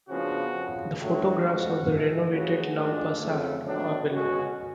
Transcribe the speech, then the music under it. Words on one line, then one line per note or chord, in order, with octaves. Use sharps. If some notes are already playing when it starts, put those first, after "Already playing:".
The photographs of the renovated Lau pa sat are below.
C#3 F3 B3 D4 F#4
F2 C#3 F3
A2 F#3 A3 D4 F#4
F2 D3 G#3 D4
G#2 F3 A3
C#3 F3 A3 F#4
G#2 F3 A3 D4
F2 C#3 F3 A3
A2 F#3 B3 D4
B2 G#3 C#4 F#4